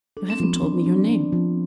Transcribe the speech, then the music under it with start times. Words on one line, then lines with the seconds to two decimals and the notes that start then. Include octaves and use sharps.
"You haven't told me your name."
0.17 D4 A4
0.30 C4
0.40 F3 B3
0.56 C4
0.63 D4
0.86 D4
1.09 D4
1.32 F3